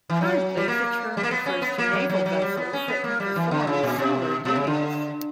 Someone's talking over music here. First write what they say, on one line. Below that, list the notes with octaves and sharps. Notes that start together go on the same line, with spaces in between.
Currently the term refers to naval vessels that can perform similar duties.
E3
F#3
G3
A#3
G3
A#3
B3
C#4
B3
A#3
F#3
F#3
F#3
G3
B3
C#4
B3
A#3
G3
E3
D3
C#3
A#2
B2
B2
C#3
D3